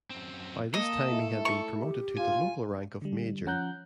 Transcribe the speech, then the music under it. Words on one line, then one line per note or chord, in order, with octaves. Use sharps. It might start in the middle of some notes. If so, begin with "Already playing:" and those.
By this time he had been promoted to the local rank of Major.
F#2 C4
A#3 A4 D#5
A3 E4
C#6
G4
C2 F4 G#5
D3 G3
F3 C#4 F#5 A#5 F#6 G6